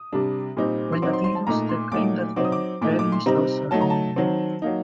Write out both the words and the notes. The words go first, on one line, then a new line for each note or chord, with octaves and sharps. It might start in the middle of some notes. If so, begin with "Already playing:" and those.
When Lathyros reclaimed the throne, Berenice lost her own rule.
Already playing: D#6
C3 G3 D4
A#2 G3 C4 D#4
C6
F#3 C4 D#4 D6
C6
C6
A5
A#2 A3 D#4 A#5
C6
A#2 F#3 A3 D#4 D6
F#3 C4 D#4 D6
D#6
D6
A#2 A3 D#4 D6
D6
C6
C3 G3 C4 D#4 A#5
F#3 A3 D#4 A5
A#5
A5
D#3 F#3 C4
F#3 A#3 D#4